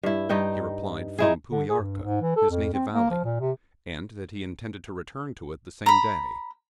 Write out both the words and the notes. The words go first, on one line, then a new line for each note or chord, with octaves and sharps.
He replied from Pueearka, his native valley, and that he intended to return to it the same day.
G2 E4
G2 D#4 D#5 G5
D#4 E4 G#4
D3
G#4
G2
G#2
E3
A4
F2
C4
A#3
F3
A#2
C3
A#5 B5